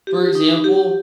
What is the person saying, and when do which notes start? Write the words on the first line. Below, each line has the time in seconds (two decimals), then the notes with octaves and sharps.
for example,
0.07 G4
0.35 D#4
0.64 G4